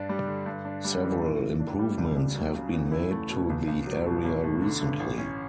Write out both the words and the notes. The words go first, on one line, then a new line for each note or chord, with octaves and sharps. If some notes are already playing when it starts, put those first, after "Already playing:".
Several improvements have been made to the area recently.
Already playing: G2 D4
G3
D3
G2
D4
G3
E3
A2
A2
D4
G3
C#2
C#2
F#3
C#3
E2
E4
A3
B2
C#2
C#2
F#3
B2
A1
A3
D3
G2
A1
C#4